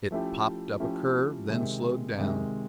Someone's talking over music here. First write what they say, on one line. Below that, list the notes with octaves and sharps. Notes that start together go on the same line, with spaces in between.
It popped up a curve, then slowed down.
F3 A3 C#4 E4 G4
F3 A3 C#4 E4 G4
C3 D#3 G#3
C3 D#3 G#3